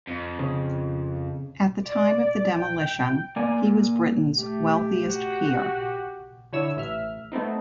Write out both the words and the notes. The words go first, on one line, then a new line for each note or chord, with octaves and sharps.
At the time of the demolition, he was Britain's wealthiest peer.
F2
C#3
D5
G5
A#3 D5 G#5
A3 G4
F#4
D3 E4 C#5 E6 E7
A1 E5 F6
A3 B3 C4 D#4